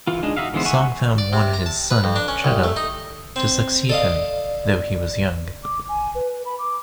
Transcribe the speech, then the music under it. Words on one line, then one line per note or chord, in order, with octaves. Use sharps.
Songtham wanted his son, Chettha, to succeed him, though he was young.
E3 F4
G#3 D4 D#4
D#4 F#4 E5 F5
D3 E3 G#3 B3 C5
E5 F#5 G#5 C#6
D5
C3
A#5
A5
B4
F2
D4
C#4
C2
A3
D#4
C4
A4 D5 D#5 F5
D6
G#5
B4
B5
D6